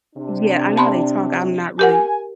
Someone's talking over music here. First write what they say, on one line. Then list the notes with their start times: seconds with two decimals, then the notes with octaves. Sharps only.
Yeah, I know how they talk, I'm not really
0.16 C3 D4
0.77 A5 B5 C6
1.79 G4 A#4 F#5 G#5